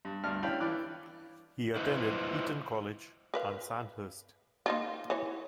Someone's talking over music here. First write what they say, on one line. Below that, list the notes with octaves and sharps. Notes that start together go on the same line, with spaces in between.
He attended Eton College and Sandhurst.
G2
D2 G2 D4 F6
C#4 D4 E4 F5 G5 B5
E3 D5 F#6
E4 F4 B4 C5 D#5
A#4 B4 F5
A#3 D#4 F4
E3 C#5